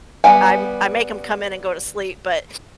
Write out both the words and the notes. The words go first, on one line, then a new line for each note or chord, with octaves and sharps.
I m I make 'em come in and go to sleep, but,
G3 B3 F5 G#5